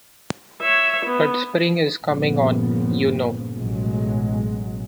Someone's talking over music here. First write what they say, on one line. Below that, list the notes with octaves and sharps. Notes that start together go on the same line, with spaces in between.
But spring is coming on, you know.
C#5 E5
B3
G1 A#2 C#3 F3 B3
A1 B2 F#3 G#3